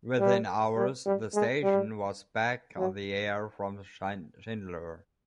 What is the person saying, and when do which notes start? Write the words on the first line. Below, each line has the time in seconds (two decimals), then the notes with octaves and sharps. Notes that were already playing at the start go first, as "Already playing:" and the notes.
Within hours, the station was back on the air from Shindler.
0.19 G3
0.77 G3
1.06 G3
1.34 G#3
1.63 G3
2.78 F#3